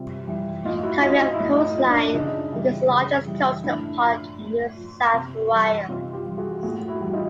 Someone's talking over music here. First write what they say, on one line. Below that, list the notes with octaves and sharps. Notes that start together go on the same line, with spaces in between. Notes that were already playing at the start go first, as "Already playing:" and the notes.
Covering of coastline, it is the largest coastal park in New South Wales.
Already playing: C3 E3 G3 F4
E3 G3
A2 D#4 F4
E4 F#4
F3 D#4 F4
D#4
E4
A2 D#4
D#4
F3
D4
C#3 D#4
E3 G3
C#3
E3 G3
A2 D4 E4
F3
A2
F3
C3
E3 G3
C3 D#4 F4
F4 G4
E3 G3
F#4 G#4
A2 F#4 G#4
E4 F#4
E3 G3
D#4 F4